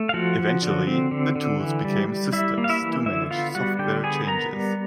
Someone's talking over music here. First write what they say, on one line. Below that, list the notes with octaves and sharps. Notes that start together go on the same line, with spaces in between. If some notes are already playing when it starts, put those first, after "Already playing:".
Eventually, the tools became systems to manage software changes.
Already playing: A3
F5
F3 F#4 F#5
F3
D3
C4
D3
D3
E3
G3
G3
G3 E4 E5
A#3
F5
E4 E5
E3
D3 E4 E5
B3 F4 F5
G3 F#4 F#5
D3 G4 G5
B3 G#4 G#5
B3 A#4 A#5
G3